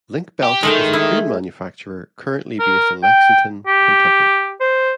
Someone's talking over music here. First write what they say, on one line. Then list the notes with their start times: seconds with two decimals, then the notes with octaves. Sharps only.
Link-Belt is a crane manufacturer currently based in Lexington, Kentucky.
0.43 G4
0.63 D#3 G#3 A3 G5
0.93 E4
2.59 A#4
3.03 G5
3.67 G4
4.61 C5